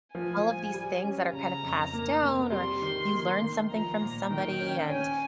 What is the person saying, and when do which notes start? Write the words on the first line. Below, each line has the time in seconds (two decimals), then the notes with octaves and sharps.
all of these things that are kind of passed down or you learn something from somebody and
0.15 F3 G#5
0.44 F3
0.74 G3
1.04 C#4
1.33 C#3 A#5
1.63 F2
1.93 A#3
2.23 C3
2.52 G3 C6
2.82 D#3
3.13 A#3
3.41 D#3
3.72 F3 A#5
4.02 A#2
4.30 D#3 G5
4.61 C#4
4.90 C#4 G#5